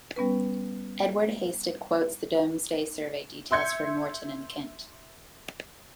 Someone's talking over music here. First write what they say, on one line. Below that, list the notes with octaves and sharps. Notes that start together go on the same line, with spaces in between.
Edward Hasted quotes the Domesday Survey details for Norton in Kent.
G3 B3 C#4 B4
E5 C6 G6 G#6 C#7